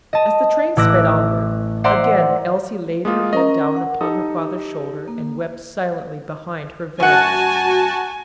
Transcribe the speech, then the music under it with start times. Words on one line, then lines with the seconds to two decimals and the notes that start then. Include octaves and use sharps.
As the train sped onward, again Elsie laid her head down upon her father's shoulder and wept silently behind her veil.
0.13 D#5 A5
0.77 A1 E4 D6 E6 F#6 A#6
1.84 C5 D5 E5 F#5 A#5 C6
3.05 G#3 A#3 F4 D#6
3.33 C#4 A#4 D#5 A#5
3.77 F#5
4.01 D#4 G4 A4 D#6
5.08 A#3
7.00 F#2 F#4 F#5 G#5 A5